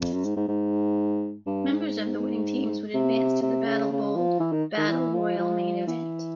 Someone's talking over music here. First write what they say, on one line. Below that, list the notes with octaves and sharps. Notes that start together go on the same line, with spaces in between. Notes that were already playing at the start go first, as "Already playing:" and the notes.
Members of the winning teams would advance to the BattleBowl battle royal main event.
F2
F#2
G#2
G#2
G#2
G2
G#2
C3
C3
C#3
C#3
F3
E3
D#3
D#3
E3
F3
F3
E3